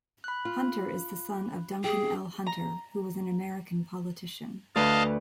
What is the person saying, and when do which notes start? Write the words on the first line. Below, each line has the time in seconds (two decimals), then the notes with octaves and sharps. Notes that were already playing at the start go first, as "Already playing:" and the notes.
Hunter is the son of Duncan L. Hunter, who was an American politician.
0.24 B5 F#6
0.45 F4
1.84 G4 G#4
2.46 A#5
4.76 D2 B4 D#5 F5 A5